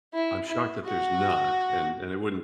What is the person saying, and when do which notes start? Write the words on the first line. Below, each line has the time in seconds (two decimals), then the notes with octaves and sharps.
I'm shocked that there's not, and and it wouldn't
0.13 E4
0.48 E4
0.84 F#4